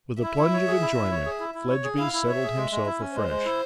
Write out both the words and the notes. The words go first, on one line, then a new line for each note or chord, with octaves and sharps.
With a plunge of enjoyment, Fledgeby settled himself afresh.
E4 E5
E4
C#5
G#4
E4
E4
C#5
G#4
E4
E4
C#5
G#4
E4 F5
E4
C#5 E5
G#4
G#3
G#3
E4
C#4
G#3 C5
G#3
E4